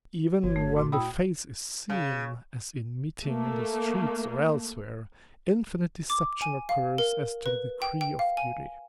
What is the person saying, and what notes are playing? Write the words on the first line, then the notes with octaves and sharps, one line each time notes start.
Even when the face is seen, as in meeting in the streets or elsewhere, infinite deception occurs as to the degree of beauty.
G1 F#4 C#5
A3
A#2 F#4 C6
E4 D5 G5 B5 D#6 E6
C#3
A3 A#3
D6
G#5
F5
A#4
B4
G5
G5
F5
G#5